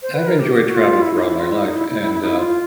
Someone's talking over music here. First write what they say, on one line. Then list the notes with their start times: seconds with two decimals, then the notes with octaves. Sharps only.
I've enjoyed travel throughout my life, and, uh,
0.02 C5
0.15 B4
0.28 A#4
0.39 G4
0.52 F#4
0.60 G4
0.67 F#4
0.77 F4
1.02 E4
1.15 D#4
1.22 F4
1.27 E4
1.39 F4
1.51 E4
1.64 D#4
1.76 E4
1.90 E4
2.01 E4
2.14 E4
2.22 D#4
2.27 E4
2.39 F4